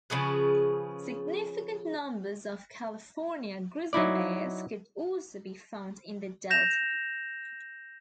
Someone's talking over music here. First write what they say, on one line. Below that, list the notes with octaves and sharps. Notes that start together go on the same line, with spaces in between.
Significant numbers of California grizzly bears could also be found in the Delta.
C#3 F3 G#4 B4
F#3 D#4 E4 D5
G6 A#6 E7 F7